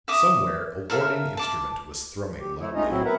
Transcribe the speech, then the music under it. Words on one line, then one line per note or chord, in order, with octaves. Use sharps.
Somewhere a warning instrument was thrumming loudly.
E5 D6 D#6
A4 A#4 E5 F5
A5 D6
G4
A3 E4
G#3 A3 C#4 D#4 F4 D#5
A2 F#3 C4 E4 F#4
B3 A#4 B4 E5 F#5